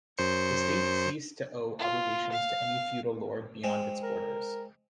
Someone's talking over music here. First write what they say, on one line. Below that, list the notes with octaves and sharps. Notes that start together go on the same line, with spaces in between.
The state ceased to owe obligations to any feudal lord beyond its borders.
F#2 C5 C#7
F4
F5
G#3 C4
A#4